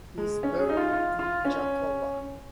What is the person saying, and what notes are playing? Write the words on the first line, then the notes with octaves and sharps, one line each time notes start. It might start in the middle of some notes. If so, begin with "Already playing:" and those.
He is buried in Gjakova.
G#3
C#4
G#4
D#4
F4
F4
F4
C#4